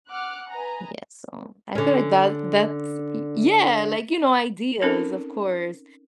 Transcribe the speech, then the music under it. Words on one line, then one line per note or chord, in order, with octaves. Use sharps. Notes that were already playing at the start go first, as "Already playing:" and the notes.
Yes. So, I feel like that that's Y yeah! Like, you know, ideas, of course.
F#5 D6 F6 F#6
B4 D#5 G#5 A#5
D3 C#4
C4 C#4 D#4 A4 A#4